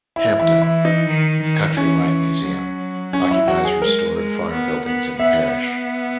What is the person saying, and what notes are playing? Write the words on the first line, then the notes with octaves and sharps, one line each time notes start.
Hamptonne, the Country Life Museum, occupies restored farm buildings in the parish.
E4
E3 E4
E4
D#4
D#3
D#3
E3 C#4
F#3
C#4
E4
F#4
G#4
G#3 A#4
G#3
B3
B3
B3 E5